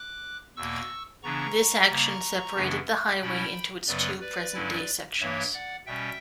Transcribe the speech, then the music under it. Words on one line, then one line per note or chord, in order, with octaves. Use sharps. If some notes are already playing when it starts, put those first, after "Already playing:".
This action separated the highway into its two present-day sections.
Already playing: D6 F#6
E2 B2 A#3 C#6 E6
C#3 E3 B3 D4 A#5 C#6
C#3 G3 A#3
F#2 C#3 E3 B3 D4
B2 G3 C#4 E4 G5 B5
F#2 C#3 F#3 B3 B4 D5
B4 D5
G2 D3 F#3 C#4 E4
G2 E3 A#3 C#5 E5
D5 F#5
B2 G3 C#4 E5 G5